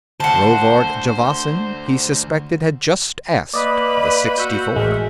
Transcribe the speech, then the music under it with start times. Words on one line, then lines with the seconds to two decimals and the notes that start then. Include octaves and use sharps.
Rovard Javasan, he suspected, had just asked the sixtifor.
0.20 D2 C5 F#5 A5
3.54 A#3 B4 D5 D#5
4.38 F#4 E6 G6
4.76 A1 G#3 A#4 E5